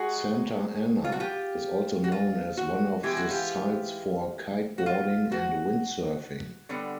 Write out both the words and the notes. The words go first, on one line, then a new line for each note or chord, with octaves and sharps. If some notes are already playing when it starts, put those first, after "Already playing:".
Santa Ana is also known as one of the sites for Kiteboarding and Windsurfing.
Already playing: G#3 D#4 F#4 G#4
F4
F#4
F4 G4
F#4
F4
F#4
E3 G#3 B3 G4
F#4
F4 G4
F#4
F4
F#4
D3 G3 B3